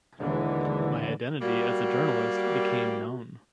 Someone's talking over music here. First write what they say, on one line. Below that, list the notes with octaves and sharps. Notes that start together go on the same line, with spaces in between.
My identity as a journalist became known.
D#2 B2 D3 E3 G#3
G3 A#3 F#4